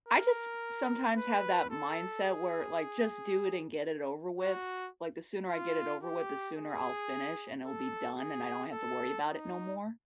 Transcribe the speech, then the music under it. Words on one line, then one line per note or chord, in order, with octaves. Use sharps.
I just sometimes have that mindset where, like, just do it and get it over with. Like, the sooner I get it over with, the sooner I'll finish and it'll be done and I don't have to worry about it no more.
A#4
B4
A4
G#4
F#4
F4
G4
G#4
A4
G#4
A4
D#4